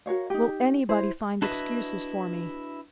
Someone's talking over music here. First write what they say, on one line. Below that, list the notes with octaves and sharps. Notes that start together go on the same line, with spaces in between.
Will anybody find excuses for me?
F#4 A#4 C#5 F5
D#4 G4
E4 C5
D4 E4 F#4 B4 D#5 E5